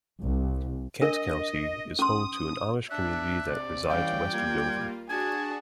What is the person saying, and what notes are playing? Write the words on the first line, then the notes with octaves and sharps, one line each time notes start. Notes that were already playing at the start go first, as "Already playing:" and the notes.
Kent County is home to an Amish community that resides west of Dover.
C2
D4 A#4 D#5
C#4 C6 D#6
D4 E5 F#6
C3 D5
E3 G3 C#4 F5 G5
G3 A#3 F4 G#6
D4 F#4 G#4 A5 G#6